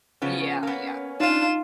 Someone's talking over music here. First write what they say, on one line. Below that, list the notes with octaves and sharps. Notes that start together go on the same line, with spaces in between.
Yeah, yeah.
C#3 F3 B3 C#4
A#3 B3
D4 D#4 F4 F5 E7